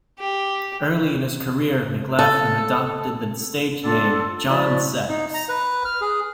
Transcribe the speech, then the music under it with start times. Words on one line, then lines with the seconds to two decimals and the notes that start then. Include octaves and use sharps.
Early in his career, McLaughlin adopted the stage name "John Sex".
0.19 G4
2.19 A4
3.84 B3 D4 F4 A4
4.50 F3 G3 G#3 E4 F#4 D5
5.09 D#4
5.34 A#5
5.49 B4
5.85 F6
6.01 G#4